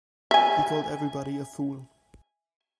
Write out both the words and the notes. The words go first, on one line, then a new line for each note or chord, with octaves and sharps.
He called everybody a fool.
E5 G#5